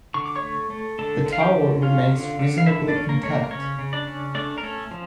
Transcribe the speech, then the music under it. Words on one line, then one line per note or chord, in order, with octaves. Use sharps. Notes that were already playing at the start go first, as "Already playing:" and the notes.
The tower remains reasonably intact.
D3 C#6
D6
C#5 C#6
A3
A3
D3 A4 A5
D3
F5
G4 G5
D3
C#4 F4 F5
D3
D3
F5
D3 E4 E5
D4 D5
C#4
A#3 A#4
A3 C#5
A#3 A#4
A#4
C#3 C#4 C#5
C#3
D4 D5
C#4
A3 D4 D5
A#4
A3 C#4 A4
F3